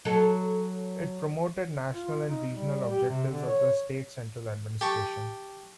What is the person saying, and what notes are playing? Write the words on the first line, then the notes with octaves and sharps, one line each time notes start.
It promoted national and regional objectives of the State central administration.
F#3 A4
F4
D#4
G3
G4
C3
D3
C#5
G4 A5 C#6